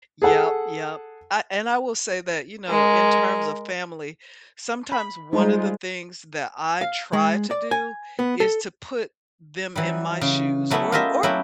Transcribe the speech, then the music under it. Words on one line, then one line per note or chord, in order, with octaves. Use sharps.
Yep. Yep, uh, and I will say that, you know, in terms of family, sometimes one of the things that I try to do is to put them in my shoes, or t or
G#4 A4 F#5
G#3 A#4
B5
G3 G#3 D#4 F4 C5
F5
G#3
D5
G#5
B3
A4
E3 F#3 G3
C#3
F#3 A3 B3 C#4 E4
F4 G4 A#4 D#5 E5
F#3 A3 B3 C#4 E4 G4